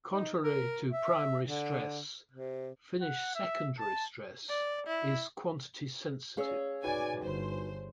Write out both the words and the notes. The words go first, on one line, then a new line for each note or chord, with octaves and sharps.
Contrary to primary stress, Finnish secondary stress is quantity sensitive.
D#4
A#4
E5
D3
C3
F#5
E5
A5
D5
E4
C#4 G#4 C#5 F5 E6
D#4 F#4 B4 D5 G#5
G1 C5